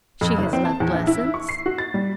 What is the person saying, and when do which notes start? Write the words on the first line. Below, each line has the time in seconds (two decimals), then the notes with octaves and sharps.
She has left lessons.
0.21 F2
0.38 F#1
0.53 C4
0.65 A5
0.80 E2
0.94 A#1
1.07 E4
1.34 C#6
1.49 C7
1.66 F#4
1.78 A6
1.94 G3